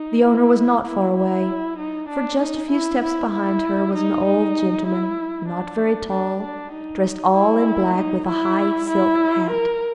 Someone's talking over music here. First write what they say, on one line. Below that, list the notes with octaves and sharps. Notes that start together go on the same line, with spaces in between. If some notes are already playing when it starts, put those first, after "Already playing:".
The owner was not far away, for just a few steps behind her was an old gentleman, not very tall, dressed all in black with a high silk hat.
Already playing: D#4
E4
E4
E4
D#4
D4
D#4
E4
E4
E4
D#4
D#4
E4
D4
D4
D4
D#4
E4
D#4
E4
E4
A#4